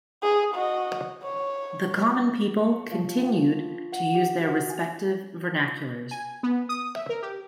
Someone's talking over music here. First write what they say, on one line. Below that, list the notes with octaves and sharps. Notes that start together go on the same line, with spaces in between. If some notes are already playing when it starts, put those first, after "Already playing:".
The common people continued to use their respective vernaculars.
G#4
F#4 D#5
C#5
C#5
F3
G5
F#5
G4
F#4
G#5
G#5
B3
D#6
E5
A#4
G4